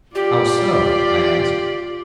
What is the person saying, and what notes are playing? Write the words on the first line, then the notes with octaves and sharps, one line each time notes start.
"How so?" I asked.
F4 G4 D5